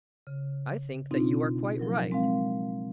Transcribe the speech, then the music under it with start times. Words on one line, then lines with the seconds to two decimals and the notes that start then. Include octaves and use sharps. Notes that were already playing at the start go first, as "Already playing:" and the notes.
I think that you are quite right.
0.27 C#3
1.11 B2 C4 D4 D#4 F4
1.79 F3 F#3 A#4
2.11 G#3 C4 A#4 F5